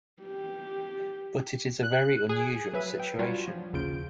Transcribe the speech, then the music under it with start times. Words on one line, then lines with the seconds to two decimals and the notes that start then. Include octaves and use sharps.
'But it is a very unusual situation.
0.22 G4
1.83 F#6
2.29 G#4
2.73 F#3 B4 E5 D#7
3.00 G5
3.18 F#3 G3 D4 F4 F#4 C#5
3.48 F3
3.73 A#1 D#2 C#3 F4 G6 D7